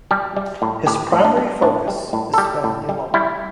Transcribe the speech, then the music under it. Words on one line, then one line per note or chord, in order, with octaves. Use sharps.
His primary focus is family law.
G3 G4
G3
A2
A2 G4
A2
D4
G3
A2 D4
G3
A2
A4
G3 G4
A2
G3
G3 E4